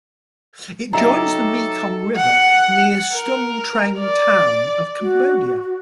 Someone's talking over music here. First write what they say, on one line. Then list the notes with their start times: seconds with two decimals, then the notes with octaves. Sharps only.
It joins the Mekong River near Stung Treng town of Cambodia.
0.93 F#3 D#4 G4 A4 D#5 E5 A#5
2.16 F#5
3.13 A#4
3.99 D5
5.00 F#4